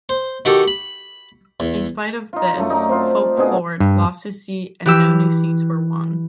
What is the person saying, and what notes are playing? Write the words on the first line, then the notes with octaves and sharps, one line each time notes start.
In spite of this, Folkvord lost his seat and no new seats were won.
C5
D#3 F#4 G4 A4
B5
E2
D#4 F4
F#2 A3
D#4 D5
C4 F4
B2 C4 D4 G#4
G2
E3 G4 E6